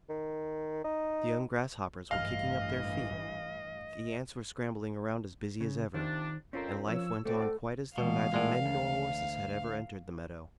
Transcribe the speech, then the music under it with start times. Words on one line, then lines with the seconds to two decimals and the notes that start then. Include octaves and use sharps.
The young Grasshoppers were kicking up their feet, the Ants were scrambling around as busy as ever, and life went on quite as though neither men nor Horses had ever entered the meadow.
0.09 D#3
0.84 D#4
2.11 A1 G2 E3 D#5 F5 F6
5.61 C#3
5.94 C3 D#3 F3 D4
6.53 F2 C4 C#4 F4 A#4
6.87 F3 C#5 E6
7.25 A3 C4 F#4 A4 D5
7.98 B2 E3 G#3 F5
8.34 A2 G#3 A#4 D5 F#5
8.66 D2